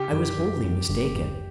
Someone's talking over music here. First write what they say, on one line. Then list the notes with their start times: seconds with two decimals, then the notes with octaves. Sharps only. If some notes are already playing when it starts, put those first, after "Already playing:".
I was wholly mistaken.
Already playing: C#3 G4
0.13 F#2
0.38 F#2
0.64 F#2
0.89 G1
1.16 F#2